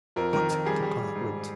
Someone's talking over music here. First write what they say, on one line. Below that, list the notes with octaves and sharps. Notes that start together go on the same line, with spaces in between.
"What department?"
F2 A#4
D#3 A#4
F2
G3 G#4
G3
G3
G#2